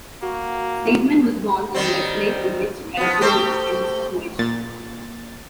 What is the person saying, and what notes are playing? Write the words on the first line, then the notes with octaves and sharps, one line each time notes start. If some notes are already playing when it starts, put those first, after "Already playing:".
Seidman was born in Westlake Village, California, and is Jewish.
A#3 F#4
D#3 G3 C4
F3 B3
A3 G4 C5
A#2 A6